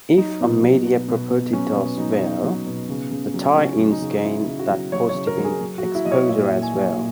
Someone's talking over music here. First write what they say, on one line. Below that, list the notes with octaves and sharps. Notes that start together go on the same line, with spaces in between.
If a media property does well, the tie-ins gain that positive exposure as well.
F#3 D#4
B2
F#3
B2
B2
B2
F#3 C#4
B2 B3
F#3 D#4
F#3 D#4
F#3
B2
C#3
C#3
F#3
C#3 C#4
F#3
D#4
C#3
C#3 E4
C#3
F#4
F#3
F#3 C#5
C#5
C#3
A#4
F#3
G#4
F#3
F#4
F#3
E4
F#3 D#5
C#5
A#2 E5
A#2
G#5
F#3
A#2